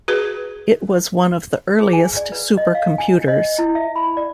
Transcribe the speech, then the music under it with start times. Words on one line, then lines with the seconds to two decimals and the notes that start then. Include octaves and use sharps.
It was one of the earliest supercomputers.
0.08 F#4 G#4 B4
1.80 G#4
1.93 G#5
2.17 D5
2.32 B4
2.57 D#5
2.75 F5
2.98 G#5
3.28 D#5
3.58 E4
3.75 E5
3.96 B5
4.17 D5